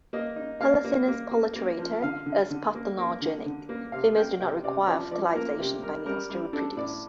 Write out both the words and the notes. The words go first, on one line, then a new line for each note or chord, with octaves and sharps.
"Pelecinus polyturator" is parthenogenic; females do not require fertilization by males to reproduce.
A#3 D#5
D#4
A#3 F5
A#3
A#3
A#3
A#3
F3
D3 F5
D3
D3
A#3
A#3
D3
D3
A#3
C3 F5
A#3 G5
C3 G5
C3 D5
F3 D5
F3 D5
A#3 A#4
C3 G4
G3 A#4
G3 A#4
G3
D4 A4
A2 D5